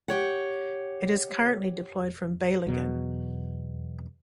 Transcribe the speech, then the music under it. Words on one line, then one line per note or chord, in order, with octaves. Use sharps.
It is currently deployed from Beylagan.
G4 C#5 F#5
E2 B2 F#3